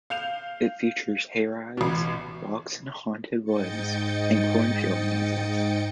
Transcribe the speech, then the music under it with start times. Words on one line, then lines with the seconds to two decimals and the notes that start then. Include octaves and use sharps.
It features hayrides, walks in haunted woods, and cornfield mazes.
0.10 F5 G6 F7
1.77 A1 B2
3.44 G#2 D#5 G5 G6 A6 C#7